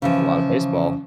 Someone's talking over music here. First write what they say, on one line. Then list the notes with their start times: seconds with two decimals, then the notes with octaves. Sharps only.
That's a lotta baseball.
0.02 C#3 E3 F3